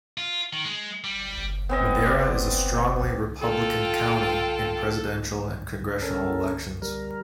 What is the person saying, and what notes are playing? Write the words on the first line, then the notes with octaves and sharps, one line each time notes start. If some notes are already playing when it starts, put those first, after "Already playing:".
Madera is a strongly Republican county in Presidential and congressional elections.
F4
D#3
G#3
G3
B3 C4 D#5
G3 D5
F4 A4 G5
C#4 A4 A#4
G3 A#4